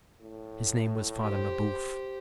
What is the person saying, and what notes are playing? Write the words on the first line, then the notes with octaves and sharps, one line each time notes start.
His name was Father Mabeuf.
A2
G4 C5